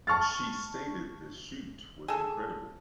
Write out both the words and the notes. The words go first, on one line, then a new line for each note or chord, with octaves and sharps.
She stated The shoot was incredible.
A5 C#6 F6 A6
G#4 A4